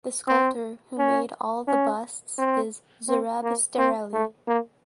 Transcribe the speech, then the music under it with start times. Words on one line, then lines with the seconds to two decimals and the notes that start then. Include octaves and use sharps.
The sculptor who made all the busts is Zurab Tsereteli.
0.28 C4
0.98 C#4
1.68 C#4
2.38 C4
3.09 C4
3.43 A#3
3.78 C4
4.13 A3
4.48 A#3